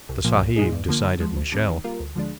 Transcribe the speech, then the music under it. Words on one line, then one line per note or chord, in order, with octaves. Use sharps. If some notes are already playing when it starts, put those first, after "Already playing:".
The "Sahib" decided Michele.
C2
A#2 F3 A#3
C2
A#2 G#3 D#4 G#4
G2
D3 F3 A#3
D3
F3 G#3
D2
D3 G3 C4
D#3
G3 A#3 F4 A#4
D2
D3 F3 G#3 D4